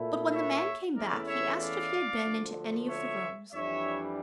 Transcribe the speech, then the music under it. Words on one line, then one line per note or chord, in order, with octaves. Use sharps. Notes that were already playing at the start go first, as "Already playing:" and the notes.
But when the man came back, he asked if he had been into any of the rooms.
Already playing: A#2 A3 E4
C#5 E5
E2 E3 A3 C#4 E4 A#4 D5
C#5 E5
D5 F5
D2 D3 F3
C#5 E5
F2 E3 G3 D4 C#5 E5